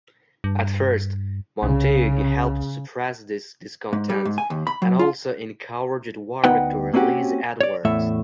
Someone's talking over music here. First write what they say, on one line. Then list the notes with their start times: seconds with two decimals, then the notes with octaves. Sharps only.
At first, Montagu helped suppress this discontent, and also encouraged Warwick to release Edward.
0.44 G2
1.63 C2 C#3
3.93 G#2
4.10 G3
4.25 G#2
4.38 G#5
4.50 D#2
4.67 B5
4.82 F#3
4.99 F4
6.44 D2 B3 D#4 B4 F#5 G5
6.93 A#3 C4 C#4 F#4 G4
7.61 C#5 D5
7.85 E2 A2 A3 E5